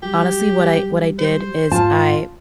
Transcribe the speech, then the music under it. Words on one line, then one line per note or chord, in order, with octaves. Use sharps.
honestly, what I what I did is I
F#3 G3 G4
C5
G#2 F4 A5